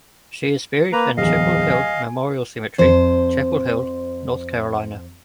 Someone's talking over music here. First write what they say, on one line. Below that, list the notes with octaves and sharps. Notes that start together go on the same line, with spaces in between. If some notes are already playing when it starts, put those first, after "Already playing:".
She is buried in Chapel Hill Memorial Cemetery, Chapel Hill, North Carolina.
A#3 B4 A#5
D1 E2 D#5 F5
G#5
F2 C5